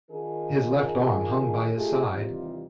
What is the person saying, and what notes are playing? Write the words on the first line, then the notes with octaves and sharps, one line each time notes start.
His left arm hung by his side.
D#3 D4 D#4 F4 G#4 A#4
A3 D#4 F4 G4 G#4
D#2 C3 E3 G3 D#4 F4